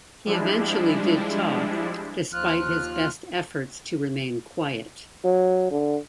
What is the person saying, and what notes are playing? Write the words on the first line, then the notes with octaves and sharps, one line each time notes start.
He eventually did talk, despite his best efforts to remain quiet.
F3 G3 G#3 D4 E4
D#2 F3 F4 F6 F#6
F#3
D3